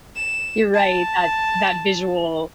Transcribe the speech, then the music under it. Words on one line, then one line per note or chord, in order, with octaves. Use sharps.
You're right, that that visual
E7
A5